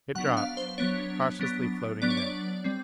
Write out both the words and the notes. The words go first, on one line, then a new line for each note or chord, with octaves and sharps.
It dropped, cautiously floating down.
F#3 B3 D4 F#5
F5
C5
F#3 B3 D4 C#5
F#3 B3 D4
F#3 B3 D4 D5
C#5
D5
G3 C4